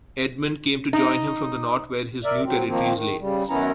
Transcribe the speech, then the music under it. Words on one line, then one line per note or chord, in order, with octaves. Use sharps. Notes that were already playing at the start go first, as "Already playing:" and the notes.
Edmund came to join him from the North, where his new territories lay.
D#4
A#4 D5 E5
F#3 C4
D#3 F3 A#3 C4
D#3
C#3 G3
F#2 D#3 B3 C#4 E4 A#5